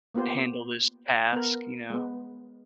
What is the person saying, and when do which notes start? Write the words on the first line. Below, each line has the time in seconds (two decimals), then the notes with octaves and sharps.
handle this task," you know?
0.14 A#3 B3 F4 G4 C5
1.33 B3 A#4
1.90 G#3 B3